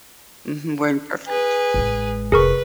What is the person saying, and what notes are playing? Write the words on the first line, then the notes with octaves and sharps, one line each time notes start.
Mhm, we're imperfect.
G#4 B4
A1 G#3
F1 G#4 A#4 B4 C#6